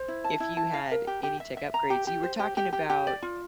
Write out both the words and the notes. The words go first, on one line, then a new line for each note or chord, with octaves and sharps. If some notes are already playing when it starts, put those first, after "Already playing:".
if you had any tech upgrades? You were talking about,
Already playing: C5
E4
A5
E4
A5
F5
A#4
G4
G4
E5
E5
A#5
G4
G4
C5
G4
G4
G4
G4
D5
F4